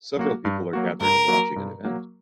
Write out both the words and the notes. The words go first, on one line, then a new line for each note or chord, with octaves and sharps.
Several people are gathered and watching an event.
F#3 A#3 F#4
G2
F#3 A#3 F#4
G2 A#4
F#3 A#3 F#4
G2
F#3 A#3 F#4